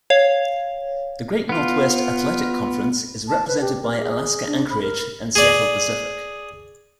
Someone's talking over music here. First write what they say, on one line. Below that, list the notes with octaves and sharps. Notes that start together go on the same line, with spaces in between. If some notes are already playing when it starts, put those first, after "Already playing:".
The Great Northwest Athletic Conference is represented by Alaska-Anchorage and Seattle Pacific.
C#5 F5
B3 F4
A5
B4
G4
A#4
G#4
D4
B5
A#4
G#4 D5